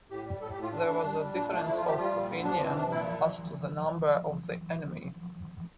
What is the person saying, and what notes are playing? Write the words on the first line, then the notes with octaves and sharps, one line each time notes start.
There was a difference of opinion as to the number of the enemy.
A2 G4
G3
A2 A4
G4
A2
F4
D3 D4
D3
G3
G3
A#2 D4
A3 D4
F3 E4
F4
F3
G4
G3 F4
A#2
D3
F3 D4
E3 C4
C3 D4
A#2 E4